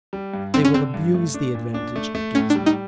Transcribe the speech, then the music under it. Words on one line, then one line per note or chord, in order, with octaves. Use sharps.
They will abuse the advantage it gives them.
G3
G2
D3 C4
C#4
D3 C4
G2
A3
D4
A#2
D4
A3
A3
A2 C#4
D4
G3
D#4